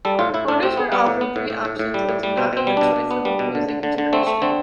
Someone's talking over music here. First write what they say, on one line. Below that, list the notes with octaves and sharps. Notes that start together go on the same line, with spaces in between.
Voters were offered three options, but did not have the choice of opposing integration.
G3 A4
A2 F4
A2 E4
A2 D4
A2 C4
B3
G3 B3
A2
B3
A2
A2
A2
A2
G3
A2
G3
B2 C4
B2 C4
G3
B2 D4
B2
B3
G3
B2
D3
D3
D3
D3
A3 C4
A3
D3 C4